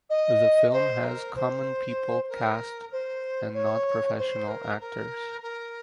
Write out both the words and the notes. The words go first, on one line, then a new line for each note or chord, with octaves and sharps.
The film has common people cast and not professional actors.
D#5
C5
A#4
C5
A#4
C5
C#5
C5
A#4
A#4
A#4